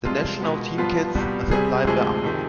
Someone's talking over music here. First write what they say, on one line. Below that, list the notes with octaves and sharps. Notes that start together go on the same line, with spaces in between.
The national team kits are supplied by Umbro.
C2 C3 F3 G#3 F4
B2 G#3 B3
G2 F3 B3 F4
C2 B2 G3 B3
C2 C3 G3 G#4
D2 C3 F3 G#3 G#4
F2 C3 D#3